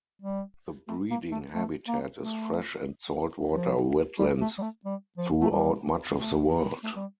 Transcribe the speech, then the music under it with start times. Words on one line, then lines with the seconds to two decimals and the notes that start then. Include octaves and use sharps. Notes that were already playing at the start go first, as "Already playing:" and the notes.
The breeding habitat is fresh and salt-water wetlands throughout much of the world.
0.22 G3
0.88 A3
1.11 A#3
1.32 A3
1.55 A3
1.88 A#3
2.21 A3
3.53 F3
4.19 G3
4.41 A3
4.58 G3
4.62 A3
4.85 G3
5.18 F3
5.41 A3
5.51 G3
6.17 A3
6.84 A3
6.96 G3